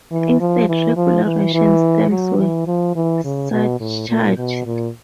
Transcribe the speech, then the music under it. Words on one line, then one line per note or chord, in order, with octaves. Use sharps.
Instead, regular Russian stamps were surcharged.
E3
F3
E3
F3
E3
E3
F#3
E3
F3
E3
C#3
B2
A2
A#2
B2
A#2